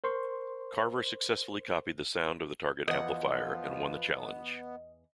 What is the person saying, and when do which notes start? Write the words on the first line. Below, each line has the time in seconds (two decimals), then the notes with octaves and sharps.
Carver successfully copied the sound of the target amplifier and won the challenge.
0.04 A#4 C5 C6 C#6
2.88 E2 F3 B3 D#5 F#5